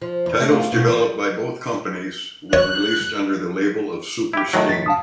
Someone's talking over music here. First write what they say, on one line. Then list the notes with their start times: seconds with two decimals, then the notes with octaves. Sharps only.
Titles developed by both companies were released under the label of Super Sting.
0.02 F3
0.26 E2
0.40 A3
0.52 F4
0.72 B2
0.88 E3
1.01 G3
2.53 C#5 F#6
4.33 E4 G4
4.53 A2 D#3 F#3
4.69 A6 B6
4.86 F5 A5 D#6